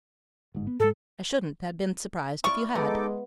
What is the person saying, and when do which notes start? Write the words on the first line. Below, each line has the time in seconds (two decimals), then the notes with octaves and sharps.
I shouldn't have been surprised if you had.
0.54 G1 G#2
0.67 B3
0.80 G#2 G#3 A4
2.44 C4 E4 F4 D5 C#6 F6
2.75 G#3 B3 D#4 A4 D6